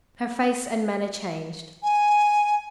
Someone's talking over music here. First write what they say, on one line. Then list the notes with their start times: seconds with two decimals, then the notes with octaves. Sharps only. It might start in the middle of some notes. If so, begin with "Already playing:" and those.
Her face and manner changed.
1.83 G#5